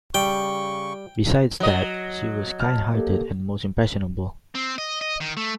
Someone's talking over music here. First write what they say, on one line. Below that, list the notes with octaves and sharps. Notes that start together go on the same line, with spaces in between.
Besides that, she was kind-hearted and most impressionable.
C#3 G3 G5 C#6
F#3 D#5
A5 F6
A#3 G4 A4
C4
D#5
D#5
D#3
A3